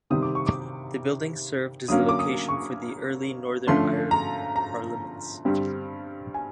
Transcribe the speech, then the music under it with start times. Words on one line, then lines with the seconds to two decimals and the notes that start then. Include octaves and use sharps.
The building served as the location for the early Northern Ireland Parliaments.
0.10 C3 D#3 G3 C4 D#6
0.22 D6
0.35 C#6
0.46 D6
1.88 D3 F#3 A#3 C#4 D#6
2.09 D6
2.19 D#6
2.48 C#6
3.67 D3 F3 A3 C#4 C6
4.11 A#5
4.56 A#5
5.45 G2 D3 G3 C4
6.34 G#5